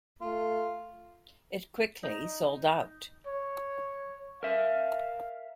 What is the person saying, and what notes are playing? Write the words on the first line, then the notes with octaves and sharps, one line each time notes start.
It quickly sold out.
A3 F4
D#4
C#5
A#4 E5 F5